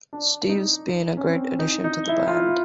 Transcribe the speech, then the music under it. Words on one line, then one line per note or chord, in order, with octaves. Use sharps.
Steve's been a great addition to the band.
D4
D#4
C#4
C4
D#4
D#4
E4
F4
E4